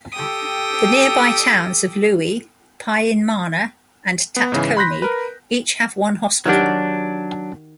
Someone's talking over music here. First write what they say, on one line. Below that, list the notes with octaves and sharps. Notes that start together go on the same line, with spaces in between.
The nearby towns of Lewe, Pyinmana, and Tatkone each have one hospital.
G4 A4 G5 D#6
B3
G#2 C#3 E3
B5 C6 F#6 G6 A#6 B6
A#4 B4
D#3 F#3 D4 F#4 G4